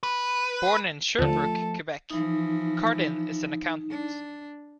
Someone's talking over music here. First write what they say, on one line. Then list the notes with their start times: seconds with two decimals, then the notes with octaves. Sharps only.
Born in Sherbrooke, Quebec, Cardin is an accountant.
0.03 B4
1.19 D#2 D3 F3 A3 A4
2.10 E3 F3 D#4
3.90 D4